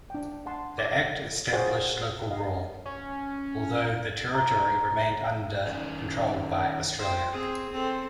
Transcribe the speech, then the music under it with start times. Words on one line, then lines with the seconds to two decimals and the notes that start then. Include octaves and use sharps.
The Act established local rule, although the territory remained under control by Australia.
0.10 D4 G5
0.46 F#5 A5 C6
0.78 E5 D6
1.53 F#4 G#4 C5 C#5 F#5 G5
2.31 D#5 F5
2.86 C#4
4.35 A#5
5.67 D#3 C#4
6.99 C5 G5
7.32 C4 G#4
7.72 C4 A4